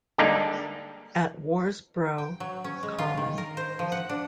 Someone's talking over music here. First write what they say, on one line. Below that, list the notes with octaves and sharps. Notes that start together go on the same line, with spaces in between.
At Worsbrough Common.
D3 G3 G#3 A#3 D4 D#4
G5
F#3
C#4
G#3
F4
D#3
A#4
C5
F3
F#5
D4